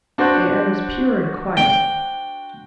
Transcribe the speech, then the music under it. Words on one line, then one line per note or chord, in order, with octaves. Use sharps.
The air was pure and quiet.
D4 F#4 C5
G5